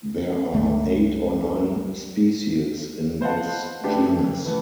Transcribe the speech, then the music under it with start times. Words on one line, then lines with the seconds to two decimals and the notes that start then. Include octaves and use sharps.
There are eight or nine species in this genus.
0.53 C#2 G2 D3 A3
3.21 B4 C5 D#5 F5 F#5 A5
3.84 A3 B3 D4 G4 A4
4.06 F2
4.45 E3 A3 B3